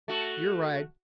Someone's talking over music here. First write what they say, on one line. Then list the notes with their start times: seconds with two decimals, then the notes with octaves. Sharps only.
You're right.
0.08 A3 F#4